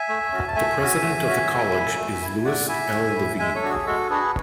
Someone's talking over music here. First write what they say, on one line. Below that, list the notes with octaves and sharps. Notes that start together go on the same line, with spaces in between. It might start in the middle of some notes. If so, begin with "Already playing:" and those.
The President of the College is Louis L. Levine.
Already playing: E5 G#5
A3
C#4 F#4
A5
A3 E5 G#5
C#4 F#4
A3
C#4 F#4
A3
E4
A3
E4
A3 D5 F#5
E4 E5 G#5
A3
E4
G#3 E5 G#5
A4 C#5
D4 F#4
G#4
G#3 F#4 A4
D4 F#4 G#4 B4